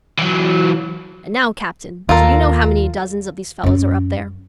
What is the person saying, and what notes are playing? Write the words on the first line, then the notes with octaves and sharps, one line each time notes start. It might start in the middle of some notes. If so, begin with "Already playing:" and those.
"And now, captain, do you know how many dozens of these fellows are up there?"
E3 F#3
D#2 F4 A4 A#4
F#2 C#4